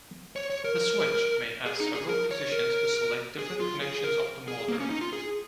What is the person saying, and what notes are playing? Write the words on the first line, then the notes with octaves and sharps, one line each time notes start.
The switch may have several positions to select different connections of the motor.
C#5
C#5
A#4
G#4
D#4
G#4
A#4
C#5
A#4
G#4
F4
G#4
A#4
G#4
A#3
C#4
D#4
F4
G#4